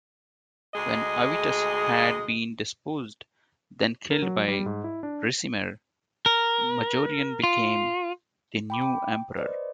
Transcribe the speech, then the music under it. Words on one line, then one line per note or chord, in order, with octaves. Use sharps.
When Avitus had been deposed-then killed-by Ricimer, Majorian became the new emperor.
D2 G#3 G#4 D#5
A#4
F#3
G3
G#2
E4
D4
A#4
F4
G5 B5 D6
G5
B4 C5 D5 D#5